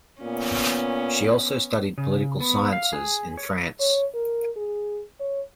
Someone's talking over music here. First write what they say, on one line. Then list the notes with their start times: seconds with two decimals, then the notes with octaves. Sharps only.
She also studied Political Sciences in France.
0.22 A#2 B3 C#4
1.98 C#3
2.40 B3
2.73 F5
2.93 G#4
3.37 C#5
3.80 C#5
4.14 A#4
4.56 G#4
5.20 C#5